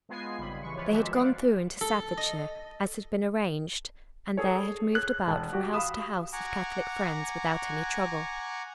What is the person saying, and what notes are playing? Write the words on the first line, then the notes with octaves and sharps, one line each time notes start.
They had gone through into Staffordshire, as had been arranged, and there had moved about from house to house of Catholic friends without any trouble.
G#3 B3 F4 G#5 C7
G#1 C#3 G3 G#3 B5
C#3 E3 G#3 C#6
E3 F3 F4 B4 C#5 D5
F2 D#3 G#3 F#4 G4 E5
B4 C5 D5 F5 F#5
A4
D#5
G#4 A4 C#5
F#6
E1 A5
F#4 G4 G5
F5 B5 D#6 E7
F#5 G#5 A#5 C#6 D6